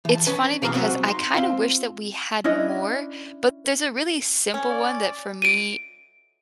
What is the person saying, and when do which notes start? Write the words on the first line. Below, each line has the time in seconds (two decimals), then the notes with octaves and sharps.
it's funny because I kinda wish that we had more, but there's a really simple one that for me,
0.05 E3 A5
0.26 C#4 B4 D#5 A5
0.62 B1 B2 E3 A#4 D5 F5
0.74 C3 F#3 C4 C#4 F#4
1.04 D#4 C6
1.34 C4 F4
2.44 C#4 D4 E4 D#5
4.54 C#4
4.70 D5
5.42 D7 D#7